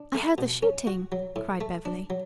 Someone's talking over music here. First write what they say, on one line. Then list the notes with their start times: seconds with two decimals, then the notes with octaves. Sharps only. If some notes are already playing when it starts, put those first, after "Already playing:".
"I heard the shooting," cried Beverly.
Already playing: D4
0.14 A3
0.38 B2
0.63 C#4
0.87 F#4
1.12 F#3
1.36 A2
1.61 A3
1.85 D4
2.10 F#3